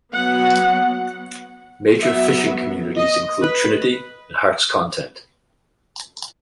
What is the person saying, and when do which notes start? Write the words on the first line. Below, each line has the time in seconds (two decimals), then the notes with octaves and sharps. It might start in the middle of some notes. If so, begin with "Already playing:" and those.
Major fishing communities include Trinity and Heart's Content.
0.13 F#3 B3 F#5
2.01 F#3 B3 E5
2.96 D#5
3.42 B4